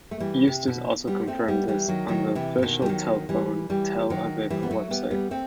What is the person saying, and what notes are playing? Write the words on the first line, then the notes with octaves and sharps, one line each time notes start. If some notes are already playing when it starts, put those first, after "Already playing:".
Eustis also confirmed this on the official Telefon Tel Aviv website.
A3
E3 G3
C3
B2
G3 B3
A3 C4
G3 B3
E3 G3
D#3 F#3
D#3 F#3
C3 E3
C3
B2 D#3
G3
D#3 F#3
E3 G3
E3 G3
D#3 F#3
E3 G3
B3
F#3 A3
G3 B3
G3 B3
A3 C4